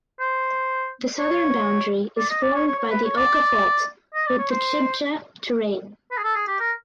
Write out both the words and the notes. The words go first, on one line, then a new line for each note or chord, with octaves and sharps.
The southern boundary is formed by the Oca Fault with the Chibcha Terrane.
C5
C#5
D5
D#5
D5
C#5
C#5
C#5
B4
C#5
D5
D#5
D5
C#5
C5
B4
G#4
A4
G#4
G4
A#4